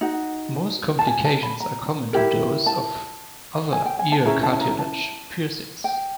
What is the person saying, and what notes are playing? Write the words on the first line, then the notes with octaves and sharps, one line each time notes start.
Most complications are common to those of other ear cartilage piercings.
D#4 F#4
A5
G#5
A5
B5
A#5
E4 G4 A#4
A5
G#5
G5
G#5
A5
C#4 E4 G#4 A#5
A5
A#5
A5
G5